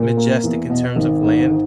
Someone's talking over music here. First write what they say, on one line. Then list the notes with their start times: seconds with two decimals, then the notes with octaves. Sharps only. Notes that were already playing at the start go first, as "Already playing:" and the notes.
majestic in terms of land?
Already playing: A#2
0.17 A#3
0.44 E2
0.70 B2
0.96 G#1
1.22 G#2